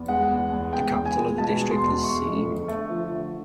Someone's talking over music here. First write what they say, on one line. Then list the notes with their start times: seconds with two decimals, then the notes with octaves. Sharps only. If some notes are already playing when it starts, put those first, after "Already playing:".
The capital of the district is Same.
Already playing: E2
0.08 G#3 F#5
0.31 E2
0.52 E2
0.73 G#3 G5
0.95 E2
1.06 G#5
1.17 G#3
1.38 B2 A5
1.60 G#3
1.71 C6
1.81 E2
2.03 A3 C#6
2.25 F2
2.46 D3
2.68 A3
2.89 F3
3.11 D3